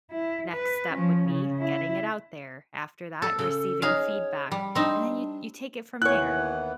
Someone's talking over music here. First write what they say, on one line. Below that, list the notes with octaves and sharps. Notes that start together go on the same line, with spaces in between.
Next step would be getting it out there. After that, receiving feedback. And then you you take it from there.
E4
B4
F3 C#4
C#3
E4
A4
C#3 A4
D#4 G#4 C#5 F5
G3
C4 D4 D#4
D#2 E3 B3 E4 C#5 F#6